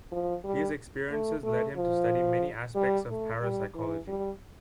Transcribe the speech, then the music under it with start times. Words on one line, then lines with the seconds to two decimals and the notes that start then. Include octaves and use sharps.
These experiences led him to study many aspects of parapsychology.
0.12 F3
0.45 G3
1.10 A3
1.43 A3
1.76 F3
2.75 G3
3.09 A3
3.42 G3
3.74 E3
4.08 G3